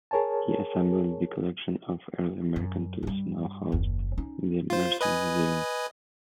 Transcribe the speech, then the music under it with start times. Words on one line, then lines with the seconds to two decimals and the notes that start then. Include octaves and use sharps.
He assembled the collection of early American tools now housed in the Mercer Museum.
0.11 G#4 A#4 C#5 G#5 A5
2.56 F#2
3.03 G2 G3
3.72 F#1 D#2
4.18 C#4 D#4
4.70 F4 C5
5.01 B4 D#5 G#5